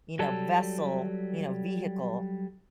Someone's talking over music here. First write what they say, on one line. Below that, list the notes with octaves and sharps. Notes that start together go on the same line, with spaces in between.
you know, vessel, you know, vehicle,
F#3 G3 A4